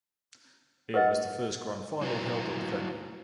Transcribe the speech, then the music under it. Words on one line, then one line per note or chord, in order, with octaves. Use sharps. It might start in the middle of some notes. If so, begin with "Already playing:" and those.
It was the first Grand Final held at the venue.
A#4 B4 D#5 F#5
F#3 E4 F#4 B4 A#5